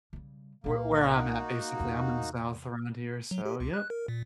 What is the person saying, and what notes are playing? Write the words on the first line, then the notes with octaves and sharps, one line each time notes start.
where where I'm at, basically, I'm in the South around here, so yep.
C#3 G3
C2 A#2 A#3
A#3 D#4 F#4
E2 C3
F#3
G4
C#2
F#6
A#4
A#2